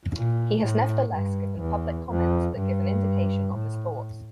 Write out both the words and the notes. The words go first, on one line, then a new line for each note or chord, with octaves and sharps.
He has nevertheless given public comments that give an indication of his thoughts.
A#2
A2
G2
E2
F2
G2
A2